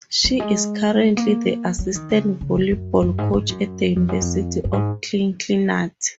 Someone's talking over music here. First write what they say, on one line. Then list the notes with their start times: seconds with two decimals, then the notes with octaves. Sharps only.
She is currently the assistant volleyball coach at the University of Cincinnati.
0.24 F#3
0.40 G#3
1.17 A#3
1.79 F#3
1.95 D#3
2.10 C#3
2.41 C#3
2.56 F#2
2.71 F#2
3.02 F#2
3.18 G#2
3.33 G#2
3.49 F#2
3.96 F2
4.09 F#2
4.21 F2
4.65 F#2
4.73 G#2